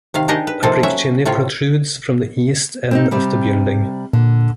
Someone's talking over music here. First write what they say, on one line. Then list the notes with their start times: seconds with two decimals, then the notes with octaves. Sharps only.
A brick chimney protrudes from the east end of the building.
0.14 C3 D#3 F5
0.28 D4 D#4 G4 G#4 A#4 D#5
0.47 B4
0.63 C3 F3 A#3 C4 D#4 A4
0.83 F#3 C#4 C#5 E5
1.25 A2 C3 F4 C#5
2.91 C4 D4 D#4
3.11 C3 G3 C4
4.13 A#2 D3